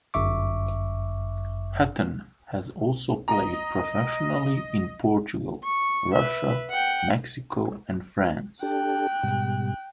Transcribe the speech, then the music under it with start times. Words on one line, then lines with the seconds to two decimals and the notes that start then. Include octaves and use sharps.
Hatton has also played professionally in Portugal, Russia, Mexico and France.
0.14 G1 F#2 E5 C#6 D6
3.28 D#5 A#5
5.64 C#6
6.15 B4 E5
6.70 F#5 G5
8.63 D4 G4 A4 G5 F#6
9.24 G#2 B2 G3